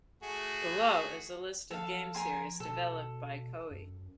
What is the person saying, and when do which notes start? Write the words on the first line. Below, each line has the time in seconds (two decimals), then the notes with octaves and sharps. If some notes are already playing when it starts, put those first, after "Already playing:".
Below is a list of game series developed by Koei.
0.23 A3 F#4 G#4
1.71 F3 A4 F5
2.15 A#4 G#5 C6
2.60 B2 A4
3.71 F#2